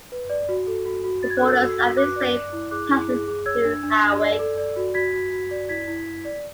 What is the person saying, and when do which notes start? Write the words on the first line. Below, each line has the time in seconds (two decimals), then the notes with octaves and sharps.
The Borders Abbeys Way passes through Hawick.
0.12 B4
0.30 D5
0.49 F#4
0.67 A4
0.86 F#4
1.04 F#4
1.23 F#4 A6
1.30 G#6
1.37 F#6
1.41 A4 E6 G#6
1.60 F#4
1.79 F#4
1.97 B4 D6 F#6
2.16 D5
2.35 D5
2.53 E4
2.71 G#4 D6 F#6
2.91 E4
3.09 G#4
3.28 G#4
3.46 C#5 E6 G#6
3.65 D4
3.83 D4
4.02 D4
4.20 D5
4.39 A4
4.58 D5
4.76 F#4
4.94 F#4 G#6 B6
5.13 F#4
5.32 F#4
5.51 D5
5.69 E4 G#6 B6
5.88 E4
6.06 E4
6.25 D5